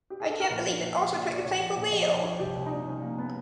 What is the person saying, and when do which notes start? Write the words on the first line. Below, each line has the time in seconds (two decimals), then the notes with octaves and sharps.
I can’t believe it, Also took the plane for real!
0.10 G4
0.20 G#4
0.30 A4
0.40 A#4
0.50 A#1 B4
0.66 F3
0.82 A#2
0.97 A#2
1.13 A#2
1.29 A#2
1.34 D5
1.45 A#1 C#5
1.60 F3
1.76 A#1
1.92 F3 D#5
2.08 F3 D5
2.24 F3 C#5
2.39 C2 G4
2.56 C2
2.66 D#4
2.71 A#2 D4
2.87 C2 C#4
3.02 F3 A#3
3.18 B3